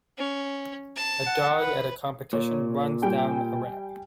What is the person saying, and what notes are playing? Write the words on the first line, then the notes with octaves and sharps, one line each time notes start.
A dog at a competition runs down a ramp.
C#4
A5
F#5
B4
A#2 C#5
G3 G5 G#5